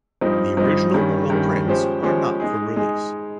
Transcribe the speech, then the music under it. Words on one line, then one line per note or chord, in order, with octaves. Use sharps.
The original oil prints are not for release.
G2 F3 C4 D#4
G2 F3 C4 D#4
G2 D#3 G3 C#4
G2 D#3 G3 C#4
F3 G#3 C#4 G4 C5
F3 G#3 C#4 G4 C5
G#3 D#4 G#4
G#3 D#4 G#4